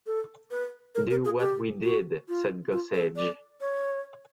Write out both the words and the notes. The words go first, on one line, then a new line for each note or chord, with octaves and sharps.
Do what we did, said Gossage.
A4
B4
A#4
A#4
G#4
G4
F#4
F4
F4
A4
D5
C#5